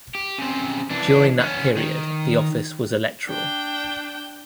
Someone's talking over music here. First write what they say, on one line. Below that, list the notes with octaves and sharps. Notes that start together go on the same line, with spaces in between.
During that period the office was electoral.
G4
C#3 C4
E3 D4
B3 C#4
D#3
D4 G5